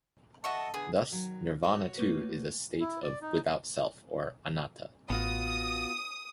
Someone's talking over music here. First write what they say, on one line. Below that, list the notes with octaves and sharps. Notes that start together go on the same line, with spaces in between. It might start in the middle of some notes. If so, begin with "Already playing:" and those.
Thus, "nirvana" too is a state of "without Self" or anatta.
F#4 A4 D#5 E5 A5 C#6
D3 B3 G#4
D#3 F#3
F#4 C#5
A3 A#3 B4
E4
D5
D#4
A1 B3 F4 F#4 D#6